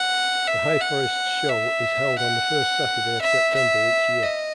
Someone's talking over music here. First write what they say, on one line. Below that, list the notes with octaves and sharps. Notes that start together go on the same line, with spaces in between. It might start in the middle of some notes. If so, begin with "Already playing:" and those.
The Highforest Show is held on the first Saturday of September each year.
Already playing: F#5
E5
F#5
E5
F#5
E5
E5
D#5